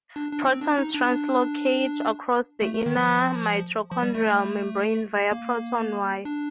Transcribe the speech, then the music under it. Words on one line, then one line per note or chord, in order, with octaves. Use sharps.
Protons translocate across the inner mitochondrial membrane via proton wire.
D4
D4
C4
D4
D#4
D4
D4
A3
A3
D#3
F3
F3
G3
A3
A3
A#3
D4